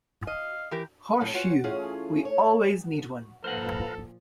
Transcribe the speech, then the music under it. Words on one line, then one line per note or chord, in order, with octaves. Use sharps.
Hortefeux - We always need one!
D#5 F5
E3 G4 A#4
F2 A2 C#3
F4 F#4 C#5 G#5
E3 A3 C#4 F4 G#4
C#5
A#2 F3 A4 B4 C5 F5 F#5 A#5